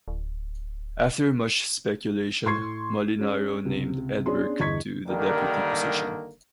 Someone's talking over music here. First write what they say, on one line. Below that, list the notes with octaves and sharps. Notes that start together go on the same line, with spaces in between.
After much speculation Molinaro named Ed Burke to the Deputy position.
D1
A2 C6 C#6 G#6 C7
G#3 C#4 G#4
C#2 C3
B3 C#4 D4 G#4 C6
G1 E2 D#5 C#6 G#6 B6
G2 D3 D#3 G3 A#3 A#4